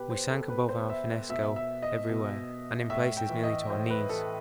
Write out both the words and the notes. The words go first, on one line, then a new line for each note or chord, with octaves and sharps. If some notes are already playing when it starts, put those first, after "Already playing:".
We sank above our finnesko everywhere, and in places nearly to our knees.
Already playing: B2 G4 B4
C5
A4
B2 B4
C5
E5
B2 E5
E5
D#5
B2
A2 E5
G5
E3
D#5
A2 C5
B4
E3 A4